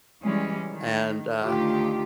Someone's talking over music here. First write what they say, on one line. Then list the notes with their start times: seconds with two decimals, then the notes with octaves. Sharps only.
And, uh
0.23 E3 G3 G#3 C#4
0.70 D#3
1.41 D2 D#3 F4 G4